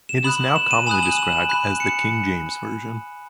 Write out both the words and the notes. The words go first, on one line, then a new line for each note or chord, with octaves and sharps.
It is now commonly described as the King James Version.
E7
B5 D#6 F#6 F#7
E7
D#7
G#5 B5 D#6 F#6 E7
F#7
E7
B5 F#6
C#7